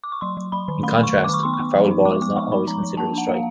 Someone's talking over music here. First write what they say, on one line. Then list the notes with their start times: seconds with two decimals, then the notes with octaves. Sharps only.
In contrast, a "foul ball" is not always considered a strike.
0.04 D6
0.12 C#6
0.21 F#3 C6
0.37 F#3
0.52 F#3 B5
0.68 D#3
0.83 A3 B5
0.98 A3
1.03 C#6
1.14 D#3
1.24 D#3 D6
1.34 C#6
1.43 B3 C6
1.54 C#6
1.59 B3
1.76 F3
1.91 D#4
2.05 G#3 D6
2.21 B3 D6
2.37 G#3 C#6
2.52 D#4 B5
2.67 F3 A#5
2.83 F3
2.97 A#3 A5
3.13 D4 F#5
3.29 A#3 F5